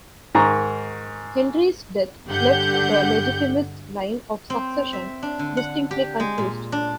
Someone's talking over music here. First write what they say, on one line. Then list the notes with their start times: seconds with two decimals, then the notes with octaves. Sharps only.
Henri's death left the Legitimist line of succession distinctly confused.
0.35 G#2 D#3 A#4 A#5 C#6
2.27 G2 D3 G4 F#5 G6
4.50 C4
4.93 E5
5.22 D4
5.39 D3
5.57 F#5
5.91 G4
6.20 G#3
6.38 A#2
6.72 D4